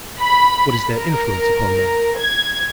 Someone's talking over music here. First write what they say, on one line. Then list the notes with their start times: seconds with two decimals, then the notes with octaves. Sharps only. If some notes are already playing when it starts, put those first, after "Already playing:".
What is their influence upon men?
0.18 B5
0.89 A#4
2.18 G#6